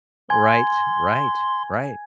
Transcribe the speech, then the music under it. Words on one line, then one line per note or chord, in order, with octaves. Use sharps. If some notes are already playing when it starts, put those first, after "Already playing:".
Right, right, right.
G#5 C6 G#6